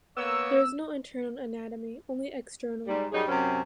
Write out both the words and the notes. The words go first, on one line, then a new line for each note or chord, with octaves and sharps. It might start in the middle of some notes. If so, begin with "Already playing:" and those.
There is no internal anatomy, only external.
A#3 B3 C#5 E6
G#2 G3
F#2 G3 D#4 G#4 C#5
F#2 C3 C4 C#4